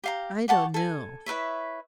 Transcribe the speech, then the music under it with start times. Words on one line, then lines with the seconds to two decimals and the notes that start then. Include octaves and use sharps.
I don't know.
0.04 G4 F5 A#5
0.48 G4 F#5 A5 C#6
0.74 A4 G#5
1.26 E4 B4 C#5 E5